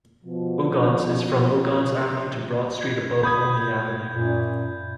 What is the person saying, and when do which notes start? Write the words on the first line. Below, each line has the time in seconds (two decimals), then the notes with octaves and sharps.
Ogontz is "from Ogontz Avenue to Broad Street above Olney Avenue".
0.25 B2 F3
2.81 G#6
3.23 B5 D#6 G6 G#6
4.10 F#2 A#2